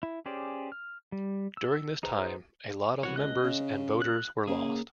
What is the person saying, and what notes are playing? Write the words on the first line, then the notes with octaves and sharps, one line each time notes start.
During this time a lot of members and voters were lost.
E4
C#4 G4 G#4 C5 D5
F6
G3
E6
D#4 G#4 B4 C5 A#5
C2 E3 F#4 C#5
C#2 D#5 F#6
C#3
F#6
C#3 A#3 G#4